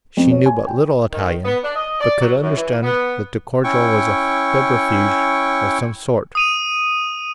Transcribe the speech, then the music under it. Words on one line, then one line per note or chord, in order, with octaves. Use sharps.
She knew but little Italian, but could understand that the cordial was a febrifuge of some sort.
F2
C#5
G#5
G5
D#3
B3
D4
D#5
D5
F#3
F#2
E3
B3
C#4 E4 G5 C#6
D#6 D#7 F7